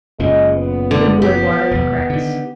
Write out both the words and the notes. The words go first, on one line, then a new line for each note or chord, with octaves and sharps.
Good wood, water, and grass.
F#1 A#2 C#3 G#3
B3
D3
G4
E1 D#2
D3 D#3